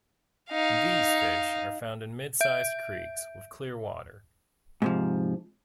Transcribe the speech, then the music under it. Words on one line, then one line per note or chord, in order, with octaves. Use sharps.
These fish are found in mid-sized creeks with clear water.
D#4 F5
E5 G6 D7
G#2 C3 F3